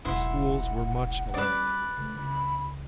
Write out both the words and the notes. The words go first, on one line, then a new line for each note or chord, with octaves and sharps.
The schools were much alike.
E1 B1 E4 F#5 C6
G3 C#4 B4 D5
D3 A3
C#2 B5